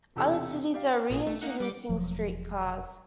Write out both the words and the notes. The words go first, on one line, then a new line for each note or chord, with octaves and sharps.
Other cities are re-introducing streetcars.
E1 E2 C3 G4 A4 E6
G4 D5 F5
A1 A#2 G#4
A3
A#3 D#4 F#5
G3 D6
E1 F3 F#3